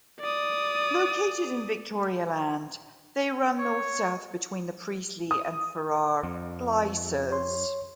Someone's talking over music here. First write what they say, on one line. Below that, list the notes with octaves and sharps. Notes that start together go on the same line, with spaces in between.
Located in Victoria Land, they run north-south between the Priestley and Ferrar glaicers.
D5 D#6
C#5
D#6
F2
C#5 C6